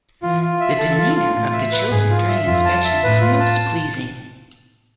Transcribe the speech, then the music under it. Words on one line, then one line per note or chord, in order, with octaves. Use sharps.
The demeanor of the children during inspection was most pleasing.
E3 F4
F4
E5
E3 A4
F4
F4
A2 F4
E5
B4
G#2 G#4
F4
E5
F2 F4
A5
E5
A2 B4
F4
A5